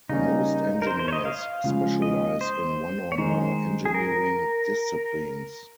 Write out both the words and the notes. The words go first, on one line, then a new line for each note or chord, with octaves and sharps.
Most engineers specialize in one or more engineering disciplines.
C#3 G3 A#3 C#4 D#4
A#4
C5
C5
C#5
D#5
F5
C#3 F3 G#3
D#5
C5
C#5
D#3 G#3 D#4 C5
G#4
A#4